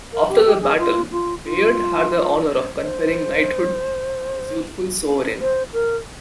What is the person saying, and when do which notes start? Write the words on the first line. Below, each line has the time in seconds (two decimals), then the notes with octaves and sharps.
After the battle, Bayard had the honour of conferring knighthood on his youthful sovereign.
0.12 A#4
0.29 G4
0.46 G4
0.61 G#4
0.79 F4
1.12 F4
1.45 F4
2.76 C5
5.40 C5
5.73 A#4